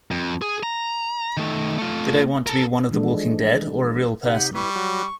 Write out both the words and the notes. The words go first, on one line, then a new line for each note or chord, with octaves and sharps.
Did I want to be one of the walking dead or a real person?
F2
G#4
A#5
D#3 A3
A3 F4
A4 A#4
E3 F3 G#3 D4 A4
C3 D#4 G4 F#5
G3 E4 B4 C#6
F#3 F#4